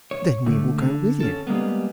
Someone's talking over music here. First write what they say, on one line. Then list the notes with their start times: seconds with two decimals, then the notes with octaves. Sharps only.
"Then we will go with you."
0.11 C#5
0.46 D3 A3
0.78 D3
1.20 C#4 A4
1.47 G3 G#3 A#3 B3